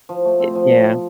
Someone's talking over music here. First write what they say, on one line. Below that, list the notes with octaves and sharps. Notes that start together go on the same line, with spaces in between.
Eh, yeah.
F3
A3
C4
F3